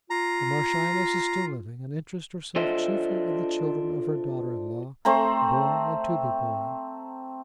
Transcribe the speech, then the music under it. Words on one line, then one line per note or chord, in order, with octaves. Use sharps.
The Marchioness is still living, and interests herself chiefly in the children of her daughter-in-law,--born, and to be born.
F4 A#5
D4 F4 A4 C5 D#5 E5
A3 C4 C5 A#5